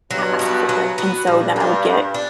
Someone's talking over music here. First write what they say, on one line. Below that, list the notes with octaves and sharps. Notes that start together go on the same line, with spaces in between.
ask for it, and so then I would get
G2 B2 F#3
B3 F#4
F#3
B3 F#4
G2 A#2
A#3 D4
A#2
D4